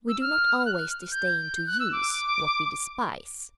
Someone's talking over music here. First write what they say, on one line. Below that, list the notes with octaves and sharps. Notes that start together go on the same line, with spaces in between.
We do not always disdain to use what we despise.
E6
F6
F6
F#6
F6
G6
F#6
E6
D6